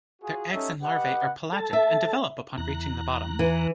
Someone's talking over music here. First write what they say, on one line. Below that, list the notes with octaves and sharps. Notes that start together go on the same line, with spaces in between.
Their eggs and larvae are pelagic and develop upon reaching the bottom.
F4 F#4 G#4
C#4 D#4 G4 A4 E5
G4 B4 D#5 F#5
A4 A5
E5
E2 A#5 F#6
E3